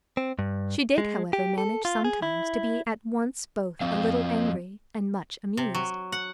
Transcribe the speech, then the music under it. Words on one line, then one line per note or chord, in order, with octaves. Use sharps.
She did, however, manage sometimes to be at once both a little angry and much amused.
C4
G2
G#3
G4
A4
F4
G#4
E4
F3 F#3 C4 F5
C3
F#3
F#5